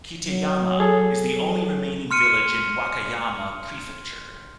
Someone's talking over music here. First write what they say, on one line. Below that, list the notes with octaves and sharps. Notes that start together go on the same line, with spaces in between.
Kitayama is the only remaining village in Wakayama Prefecture.
F#3
G#4 A4
F#3
C6 F6 C#7 D#7